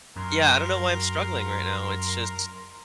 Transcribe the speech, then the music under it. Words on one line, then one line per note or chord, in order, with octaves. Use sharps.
yeah, I don't know why I'm struggling right now. It's just
F#2 A#4 C6